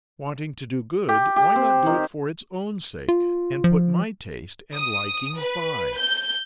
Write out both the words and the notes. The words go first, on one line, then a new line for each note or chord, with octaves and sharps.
Wanting to do good, why not do it for its own sake, and put my tastes and likings by?'
G4
G4
C4
D#3
F4
F3
D#6
B4
G6